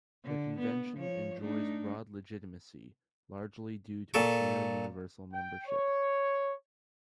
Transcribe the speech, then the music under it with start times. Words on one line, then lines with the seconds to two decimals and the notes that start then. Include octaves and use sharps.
The convention enjoys broad legitimacy, largely due to its nearly universal membership.
0.24 D3
0.59 B3
0.97 F3 C#5
1.40 A3 D4 D#4
4.14 A#2 A4 C#6
5.33 G5
5.67 C#5